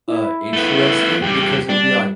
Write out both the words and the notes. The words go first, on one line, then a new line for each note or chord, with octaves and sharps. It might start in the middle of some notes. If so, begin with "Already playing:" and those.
uh, interesting because it'll be, like,
E4
A3 B3
E2 G3 G4
G3 D4